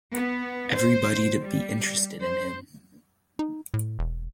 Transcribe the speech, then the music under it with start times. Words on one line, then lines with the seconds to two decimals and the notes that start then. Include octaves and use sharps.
Everybody'd be interested in him.
0.15 B3
0.74 C5
1.42 G3
2.22 C5
3.39 D#4
3.74 A2
3.99 E1